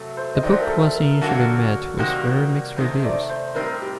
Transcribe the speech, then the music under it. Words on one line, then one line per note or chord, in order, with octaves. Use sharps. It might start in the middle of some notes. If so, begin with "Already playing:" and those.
The book was initially met with very mixed reviews.
Already playing: C3 F#3 A3
C5
D#5
D#3 F#3 A3 D5
C5
A#4
A4
A#4
D3 F#3 A#3 F#4
C3 D#3 G3 A#3 F#4
C3 D#3 A3 D#4 C5
D5
C5
A2 G3 C4 D#4 A#4
G4